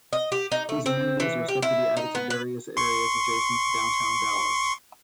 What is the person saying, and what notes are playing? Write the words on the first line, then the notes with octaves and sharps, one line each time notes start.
These amenities are set to be added to various areas adjacent to downtown Dallas.
D#5
G4
D#4
A3
C4
E3
G4
E4
D#4
B3
B4
C6 C#6